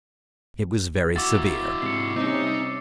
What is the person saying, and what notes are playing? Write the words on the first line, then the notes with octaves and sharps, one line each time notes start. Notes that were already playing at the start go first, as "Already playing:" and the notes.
It was very severe.
E4 F#4 D6 E6 A6
G#2 C3 C7 C#7
C3 G3 C4 C#4 D#4